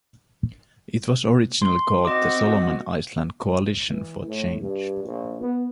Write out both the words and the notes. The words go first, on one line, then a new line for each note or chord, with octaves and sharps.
It was originally called the Solomon Islands Coalition for Change.
C6
C4 F#4 D#5 D6
E3
A2
G2
A#1
B3